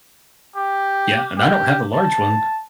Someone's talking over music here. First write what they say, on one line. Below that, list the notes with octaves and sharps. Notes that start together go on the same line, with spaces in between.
Yeah, and I don't have the large one.
G4
G4
A5